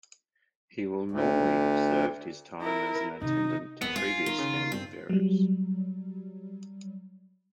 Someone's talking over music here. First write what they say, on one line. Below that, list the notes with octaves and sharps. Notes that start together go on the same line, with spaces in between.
He will normally have served his time as an Attendant to previous Standard Bearers.
D2
E4 A#4
C3 D#3 D#4
F1 D#2 B3
F4 G#4
D#3
C#3
G2 C4
F#3 G3